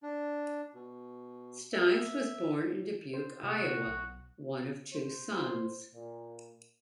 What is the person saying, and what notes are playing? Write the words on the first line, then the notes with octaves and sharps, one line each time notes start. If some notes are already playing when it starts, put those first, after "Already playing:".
Steines was born in Dubuque, Iowa, one of two sons.
D4
B2
E5
C5
C3 A#3 B3 F#4
B1
C5
A#2